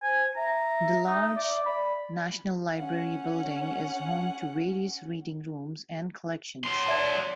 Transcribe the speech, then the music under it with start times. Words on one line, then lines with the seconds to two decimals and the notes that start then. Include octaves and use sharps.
The large National Library building is home to various reading rooms and collections.
0.03 C5 G#5
0.36 E5 A#5
1.07 D#4
1.37 D5
1.66 D5 B5
2.76 C#4 F#5
6.64 F#3 C6
6.86 D5 E5 A5